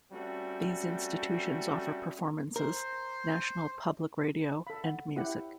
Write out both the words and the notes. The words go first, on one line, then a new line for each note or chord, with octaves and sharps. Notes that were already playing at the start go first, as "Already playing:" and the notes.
These institutions offer performances, National Public Radio, and music.
G3 A3 C4 C#4 F#4
A#4 C5
A4 F5 B5
F#5
E4 G4 C#5 E5 F#5 G5